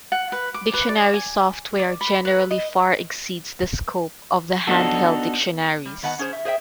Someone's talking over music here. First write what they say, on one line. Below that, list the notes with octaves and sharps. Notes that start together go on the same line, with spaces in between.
Dictionary software generally far exceeds the scope of the hand held dictionaries.
F#5
B4
D6
B4
D5
G#5
D5
B5
B4
D#5
B3 D4 D#4 F#4 A4
G3
D#3 B3 D#5 F#5 A5
C#4 G#4 C5
E5
G#4 C5 D#5 E5 G5